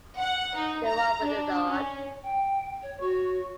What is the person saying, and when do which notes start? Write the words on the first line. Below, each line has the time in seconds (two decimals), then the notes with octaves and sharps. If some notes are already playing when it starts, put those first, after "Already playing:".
The one with the dog.
0.19 F#5
0.56 D#4
0.86 A#5
1.25 D4
1.66 C#4
2.23 G5
2.83 C#5
3.00 F#4 C#5